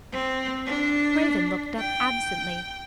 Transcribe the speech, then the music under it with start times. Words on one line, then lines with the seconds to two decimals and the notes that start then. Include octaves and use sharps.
Craven looked up absently.
0.12 C4
0.67 D4
1.79 G5